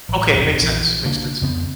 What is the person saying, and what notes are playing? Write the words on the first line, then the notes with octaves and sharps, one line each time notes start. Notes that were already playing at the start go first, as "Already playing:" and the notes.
Okay, makes sense, makes sense.
A1
E1 A1 F2 C3
A#1 E3
C#3 A#3 D4
F2 C#3 B3 C4